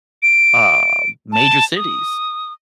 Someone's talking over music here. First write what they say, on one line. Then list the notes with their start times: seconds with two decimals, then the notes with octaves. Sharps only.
uh, major cities.
0.23 D7
1.32 A5
1.76 D#6